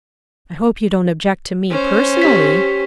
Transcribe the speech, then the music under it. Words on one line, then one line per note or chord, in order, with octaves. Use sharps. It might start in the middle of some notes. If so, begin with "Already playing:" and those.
"I hope you don't object to me personally."
C#4 C5
G4 B6